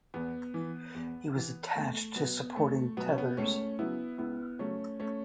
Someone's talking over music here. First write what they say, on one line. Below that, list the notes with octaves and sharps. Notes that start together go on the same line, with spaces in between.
He was attached to supporting tethers.
E2 B3
E3
E2
E3
E2 A3
B2 F#3 B3
E2 A3
B2 F#3 B3
C#4
B3
C#2 A3 C#4
C#3 F#3 B3 E4
C#2 B3 E4
C#3 F#3 A3 C#4
A3 C#4